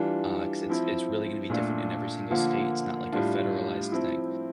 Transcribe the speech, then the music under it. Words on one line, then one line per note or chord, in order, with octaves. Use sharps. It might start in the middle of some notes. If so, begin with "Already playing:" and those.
Uh, 'cause it's it's really gonna be different in every single state, it's not, like, a federalized thing.
Already playing: E3 G3 D4 F4
F3 C4 E4
A#2 A3 D4 F4
D3 F3 A#3 F4
A2 G3 D4 F4
F3 C4 E4